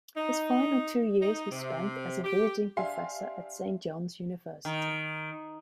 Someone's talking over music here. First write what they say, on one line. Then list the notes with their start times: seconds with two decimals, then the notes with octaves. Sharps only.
His final two years were spent as a visiting professor at Saint John's University.
0.17 D#4
1.22 D#4
1.52 C3
2.24 G4
2.77 D4 G4 E5 F5 G#5 C6
4.65 D#3